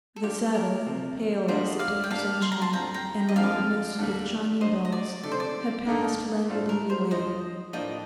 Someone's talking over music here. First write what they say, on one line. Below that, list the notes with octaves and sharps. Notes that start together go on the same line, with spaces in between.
The Sabbath, pale with September sunshine, and monotonous with chiming bells, had passed languidly away.
A4
G3 D4 F4 G4
A#4
C3 F3 C4
D2 D3 G3 A#3 D4 C5 D#5
D5 F5
G5
G3 A#3 D4 F5 A5
C6
A#5
A5 C6
F2 D3 G3 C4 F4 G5 A#5
G5 A#5
D#5
F2 D3 F3 A#3 F4 D5 F5
D#2 D3 G3 A#3
D3 G3 D4 C5 D#5
D#5
D5
C3 D#3 A3 D4 A4 D5
C5
D5
G2 D3 A3 D#4 A4
A2 A3 D4 F4 C5
A#4
C5
D#2 D3 F3 C5 D#5
A2 F3 A#3 D4 D#5 G5